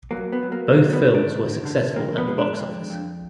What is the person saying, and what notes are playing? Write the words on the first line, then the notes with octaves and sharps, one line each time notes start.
Both films were successful at the box office.
F#3 A#3
B3
F#3
A#3
F#3 A#3
B3
D2
D4
D2
D3
F2 A#3
B3
G#3
D4
F2
F2